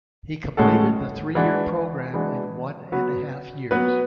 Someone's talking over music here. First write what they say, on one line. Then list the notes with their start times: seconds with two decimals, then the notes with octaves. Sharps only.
He completed the three-year program in one and a half years.
0.57 A2 G#3 C#4 F#4 A4
1.35 E3 G#3 D4 F#4
2.14 E3 G#3 D4 F#4
2.92 F#3 B3 F#4 B4
3.71 F#3 B3 F#4 B4